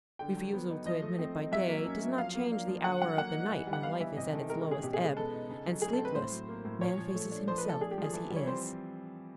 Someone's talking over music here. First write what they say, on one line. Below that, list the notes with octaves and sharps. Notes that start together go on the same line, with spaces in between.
Refusal to admit it by day does not change the hour of the night when life is at its lowest ebb, and, sleepless, man faces himself as he is.
D3 G5
F#3
B3
D#4
F3 D#5
A3
C4
D#4
F#3 E5
A#3
C#4
F#3
F3 F5
A#3
D4
F3
D3 F#5
F#3 F#5
A#3 F#5
D#4
E3
G3
F#5
B3 F5
E3 E5
C3 D#5
D#3 A4
G#3 A#4
A#4
C#4 G#4
B2 G4
G#4
G#3
G#4
B3 A4
D#4
C#3
F#3
A3 G#4
A4
C4
B4
A2 C5
F#3
A#3
A2
A#2 C#5
F3
A3
D4
F3 C5
B4
A3 A4
D4 G#4
G4
F3
G#4
E3 A4
G3
C#5
C4 C5